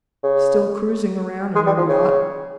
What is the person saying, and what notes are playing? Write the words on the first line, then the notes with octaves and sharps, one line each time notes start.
"Still cruising around in your yacht?"
C#3
G#3
G3
F3
C#3